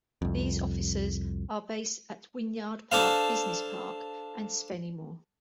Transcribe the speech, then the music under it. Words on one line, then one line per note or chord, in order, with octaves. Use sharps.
These officers are based at Wynyard Park Business Park and Spennymoor.
C2 F2
D4 A4 C5 F5